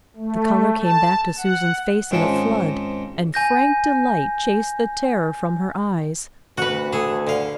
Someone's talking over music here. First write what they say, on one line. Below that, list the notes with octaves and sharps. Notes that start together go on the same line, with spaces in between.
The color came back to Susan's face in a flood, and frank delight chased the terror from her eyes.
A3
A5
F#5
G#2 D#3 C4 C#4 F4 A5
G#5 G6 A#6
D2 F#4 B4 F#5
G#4 A4
D3 F5